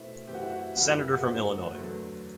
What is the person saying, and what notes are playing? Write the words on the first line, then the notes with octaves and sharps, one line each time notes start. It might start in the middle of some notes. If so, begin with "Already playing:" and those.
Senator from Illinois.
Already playing: B2 A3 C4 E4
F#2 E3 A3 C4 G4
F#4
E4
F#4
F#2 E3 G3 F#4
E4
E4
F#4
F#2 D3 A3 C4
E2 D3 F#3 A3